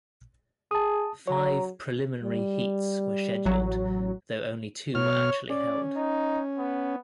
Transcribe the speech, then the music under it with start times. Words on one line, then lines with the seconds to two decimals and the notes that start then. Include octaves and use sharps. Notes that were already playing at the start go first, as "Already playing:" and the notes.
Five preliminary heats were scheduled, though only two were actually held.
0.71 G#4 A5 D#6
1.28 F#3 C#5 A#5
2.23 G3
3.45 A1 F#3
4.95 B2 C#5 F6
5.50 C#4 D5
5.97 D#4
6.58 B3